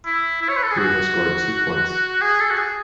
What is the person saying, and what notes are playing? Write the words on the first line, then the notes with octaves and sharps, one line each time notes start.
He would have scored two points.
E4
E4
C#5
B4
A4
G#4
F#4
G#4
A4
F#4
G#4